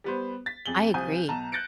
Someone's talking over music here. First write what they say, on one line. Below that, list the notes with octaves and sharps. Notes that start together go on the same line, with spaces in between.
I agree.
G3 B3 C5
A6 B6
F2 G#4 F#7 G7
C2 F3 G#5 D#6 G6 D#7
B1 A5 A#5 E7
F#6 G6 A6 A#6 C#7 D7